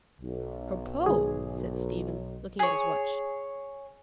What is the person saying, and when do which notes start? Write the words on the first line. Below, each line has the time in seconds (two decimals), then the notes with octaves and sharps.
"Apropos!" said Stephen, looking at his watch.
0.20 B1
1.06 G#2 D#3 G#4
2.59 G#4 C#5